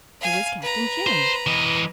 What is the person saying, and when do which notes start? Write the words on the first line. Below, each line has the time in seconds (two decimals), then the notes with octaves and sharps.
"Who is Captain Jim?"
0.21 F5 G#5
0.62 B4 A#5
1.07 C5
1.47 E3 D#5